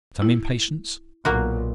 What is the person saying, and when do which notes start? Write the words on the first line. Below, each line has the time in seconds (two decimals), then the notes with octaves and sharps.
Some impatience.
0.22 E4
1.25 B1 A#2 A#3 F#4